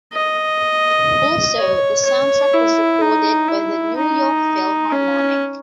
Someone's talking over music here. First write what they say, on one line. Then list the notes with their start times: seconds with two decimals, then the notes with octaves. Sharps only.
Also, the soundtrack was recorded by the New York Philharmonic.
0.13 D#5
1.57 C#5
2.05 C#5
2.53 E4
3.01 D#4
3.48 E4
3.96 D#4
4.92 C#4